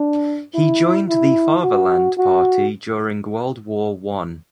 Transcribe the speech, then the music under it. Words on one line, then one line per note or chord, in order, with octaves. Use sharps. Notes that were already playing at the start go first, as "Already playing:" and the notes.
He joined the Fatherland Party during World War One.
Already playing: D4
E4
E4
F#4
F#4